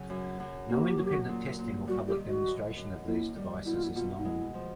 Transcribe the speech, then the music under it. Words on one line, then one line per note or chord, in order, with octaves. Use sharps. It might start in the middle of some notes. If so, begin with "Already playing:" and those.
No independent testing or public demonstration of these devices is known.
Already playing: C#3 F#3
F#2
F#2
A#3 F#4
G4
F#4
G4
F#3 F#4
G4
F#4
A#2
A#2
G3 F#4
G4
D#3
F#4
F#2
F#2
A#3 E4
G3
B2 E4
F4
E4
B2 F4
D#4
G#3 E4
F3